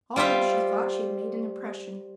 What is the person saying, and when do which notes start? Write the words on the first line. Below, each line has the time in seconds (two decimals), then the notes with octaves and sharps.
Almost she thought she had made an impression.
0.16 G3 F4 C5 E5 F5